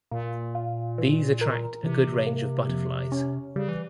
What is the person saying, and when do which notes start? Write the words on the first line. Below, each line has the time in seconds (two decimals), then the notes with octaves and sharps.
These attract a good range of butterflies.
0.11 A#2 A#3
0.55 F4
0.98 E3
1.41 A#4
1.84 C3 E3
2.27 A#3
2.69 F2
3.12 C#4
3.56 C#3 G3
3.68 E3